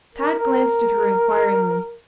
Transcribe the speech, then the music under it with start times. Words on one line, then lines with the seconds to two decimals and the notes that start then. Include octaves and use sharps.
Tad glanced at her inquiringly.
0.15 A#4
0.39 A#4